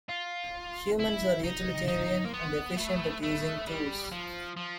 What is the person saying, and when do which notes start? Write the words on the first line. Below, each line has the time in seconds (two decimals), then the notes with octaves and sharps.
Humans are utilitarian and efficient at using tools.
0.09 F4
1.00 E4
1.44 D#4
1.88 D#4
2.25 A#3
2.33 B3
2.77 A3
3.23 A3
3.67 G3
4.12 F3
4.57 F3